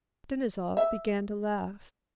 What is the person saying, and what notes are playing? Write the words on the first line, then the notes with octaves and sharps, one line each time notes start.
Denisov began to laugh.
E5